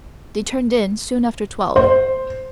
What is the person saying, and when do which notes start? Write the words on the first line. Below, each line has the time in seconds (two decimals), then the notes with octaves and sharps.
They turned in soon after twelve.
1.76 C5